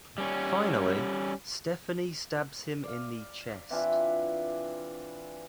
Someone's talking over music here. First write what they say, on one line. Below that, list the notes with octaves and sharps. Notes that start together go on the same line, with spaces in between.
Finally, Stephanie stabs him in the chest.
G3 C#4
D5 F5
E3 C4 D4 F4